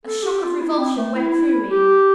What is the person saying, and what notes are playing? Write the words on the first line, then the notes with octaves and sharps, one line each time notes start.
A shock of revulsion went through me.
A4
G4
F4
E4
C4
A3
E4
E4
G4